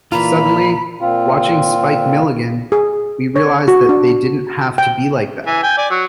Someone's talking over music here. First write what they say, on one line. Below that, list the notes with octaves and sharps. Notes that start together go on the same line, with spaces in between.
Suddenly, watching Spike Milligan, we realized that they didn't have to be like that.
A#2 E3 F4 A#5 B5
A#2 C4 F4
G#4
C#5
F#4
D4
G5
E3 G#5
G5 G#5
D5 G#5
F#3